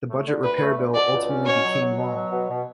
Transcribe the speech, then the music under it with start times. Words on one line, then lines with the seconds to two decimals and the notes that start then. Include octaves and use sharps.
The budget repair bill ultimately became law.
0.09 A3
0.27 D3
0.43 D2 B4
0.61 A3
0.78 D3
0.95 B2 D5
1.12 C#2
1.29 C#4
1.46 B2 C#5
1.63 F#3
1.81 F#3
1.98 B2
2.15 F#3
2.32 B2
2.50 B2